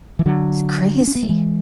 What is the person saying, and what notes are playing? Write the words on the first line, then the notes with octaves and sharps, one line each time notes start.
it's crazy.
E3
D3 F#3
D4
C#4
B3
A3
E3 G#3